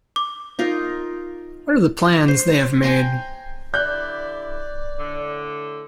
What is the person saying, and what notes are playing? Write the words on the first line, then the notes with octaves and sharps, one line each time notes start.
What are the plans they have made?
D6
D#4 F4 A#4
C5
G5 G#5 A#5 C6
D3 E4 G4 D5 F#6 G6
A2 D3